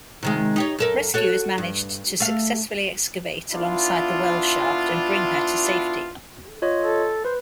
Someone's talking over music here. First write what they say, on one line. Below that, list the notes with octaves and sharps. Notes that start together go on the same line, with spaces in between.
Rescuers managed to successfully excavate alongside the well shaft and bring her to safety.
C3 D#3 G#3
D#4 G4 C#5
F#2 A4 A#4
F#4 A4 C#5
G2
A3 F5
B3 D4 E4 F4
F4 C#5 D#5
A4
B4 C5